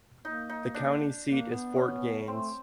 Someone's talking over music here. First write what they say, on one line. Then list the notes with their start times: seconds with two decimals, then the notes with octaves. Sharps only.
The county seat is Fort Gaines.
0.24 A#3 D#4
0.49 D#4
0.74 D4
1.25 A#3
1.51 B3
1.76 C#4
2.28 A3 C4